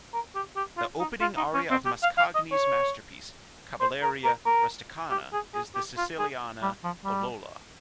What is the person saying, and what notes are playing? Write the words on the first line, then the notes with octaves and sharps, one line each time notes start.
The opening aria of Mascagni's masterpiece "Cavalleria rusticana" is the Siciliana "O Lola".
A#4
G4
G4
F4
D#4
F4
D#4
C#4
C4
G4
F5
F5
D#5
C#5
C5
A#4
A#4
A#4
G4
G#4
G#4
G4
F4
G#4
G3
F3
G3